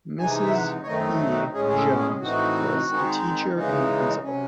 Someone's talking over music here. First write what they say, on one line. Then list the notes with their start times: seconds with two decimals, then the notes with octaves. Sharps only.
Mrs. E. Jones was the teacher and principal.
0.20 C3 E3 G#3 D#4 G#5
0.45 E5
0.54 F#5
0.83 C#5
0.87 F#2 D#3 A3 C4 D#4 D#5
1.32 F#4
1.54 A2 G#3 C#4 G#4
1.69 G#4
1.77 A4
1.99 G#4
2.21 A2 E3 C4 D#4 F#4
2.89 D#3 G#3 C4 D#4
3.56 C#3 E3 G#3 D#4
4.23 C3 F#3 C#4